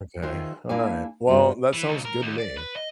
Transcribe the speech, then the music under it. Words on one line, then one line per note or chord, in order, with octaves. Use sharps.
Okay, all right, well, that sounds good to me.
D#3 F4 G#4 C5 E5 G#5
A#3 D4 E4 G#4 F5 G#5
G2 B3 F4 F#4
E3
C#2
A#4
D#2
D5
B4
D#5